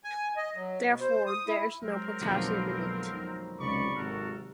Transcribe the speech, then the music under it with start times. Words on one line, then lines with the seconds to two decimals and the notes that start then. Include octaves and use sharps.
Therefore, there is no potassium in it.
0.04 G#5
0.37 D#5
0.55 F#3
0.86 B2
1.00 C5
1.26 D#6
1.47 E4
1.82 F#3 G#3 C4 A#4
2.21 B1 F2 B2 D3 D#3 F3 A#3
2.51 D3
3.12 F#3 D#4
3.60 C#2 C3 D#4 D5 B5 C#6
3.95 G#1 F#4 A4 A#4